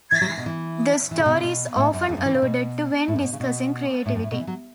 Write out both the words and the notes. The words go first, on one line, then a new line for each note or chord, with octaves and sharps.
The story is often alluded to when discussing creativity.
E3
F#3
E3
B2
E3
E3
C#3
B2
C#3
B2
A2
F#2
E2
F#2
E3
C#3
B2
A2
F#2
B2
C#3
B2
A2
F#2
A2
B2
E3
F#3